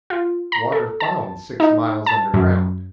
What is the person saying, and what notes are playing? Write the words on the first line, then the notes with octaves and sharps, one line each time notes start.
Water found six miles under ground.
F4
A#5
A4
A5
D#4
A5
F#2